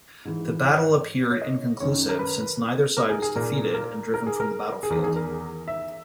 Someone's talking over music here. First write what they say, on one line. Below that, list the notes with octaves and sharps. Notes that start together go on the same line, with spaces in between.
The battle appeared inconclusive, since neither side was defeated and driven from the battlefield.
G#2 E3
C#5
C#5
D#5
F#2 D#3 C#5
A#4
B4
A#4
G#4
G#4
A#2 A#4
A#4
A#4
G#4
A#4
G#4
E2 D#3 A#4
G#4
A#4
E5